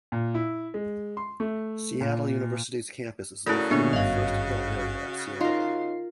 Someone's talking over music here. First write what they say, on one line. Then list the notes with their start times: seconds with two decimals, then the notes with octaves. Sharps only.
Seattle University's campus is located in the First Hill area of Seattle.
0.12 A#2
0.34 E4
0.74 G#3
1.17 C6
1.40 A3
2.01 A#2
3.46 C#3 A3 E4 F#4 A4 A#4 B5
3.71 A#2 D3 B3 G#4 C#5
3.93 G#1 G2 D#5 F5
5.41 D#4 F4 A#4 C7